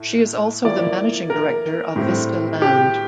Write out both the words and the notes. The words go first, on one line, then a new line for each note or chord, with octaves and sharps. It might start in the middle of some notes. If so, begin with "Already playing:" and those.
She is also the Managing Director of Vista Land.
Already playing: A2 A3
F3 A#3 E4 D5
A#4
A2 G3 C4
G4